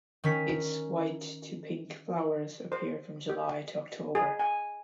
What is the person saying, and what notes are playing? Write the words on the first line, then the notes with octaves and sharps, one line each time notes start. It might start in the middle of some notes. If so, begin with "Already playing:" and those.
Its white to pink flowers appear from July to October.
D#3 C#4 B6
C5
G4
G#4
G#5